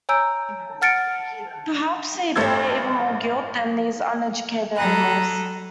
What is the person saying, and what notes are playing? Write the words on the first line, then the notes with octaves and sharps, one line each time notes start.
Perhaps we bear even more guilt than these uneducated animals.
C#5 G#5 A#5 E6 G6 D7
F#5 F6 A6 C#7 D7
A1 G2 A3 C5 E6 G#6
F#3 A4 A#5 B5 D#6 F#6